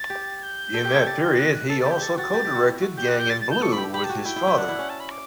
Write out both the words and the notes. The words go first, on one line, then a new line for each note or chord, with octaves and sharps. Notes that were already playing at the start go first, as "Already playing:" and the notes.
In that period he also co-directed "Gang in Blue" with his father.
Already playing: A6
G4
G6
A4
G4
A4
G4 A6
G6
F#6
F#6
A4 A6
A6
G4
G6
G4
A4 A6
F#4 A6
G4
G4
F#4
E4
F#4
G4 G6
F#6
G6
A6
A6
G6
A4 C#6
B5
G4
G4 B5
A5
F#4
A5
E4 G5
E4
E4
D4 F#5
E4
C#4
A5
B5
D6